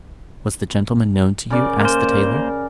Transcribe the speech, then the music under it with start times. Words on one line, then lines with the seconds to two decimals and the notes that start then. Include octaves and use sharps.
"Was the gentleman known to you?" asked the tailor.
1.50 C#3 A#4 D5
1.81 A#3 A#4 C5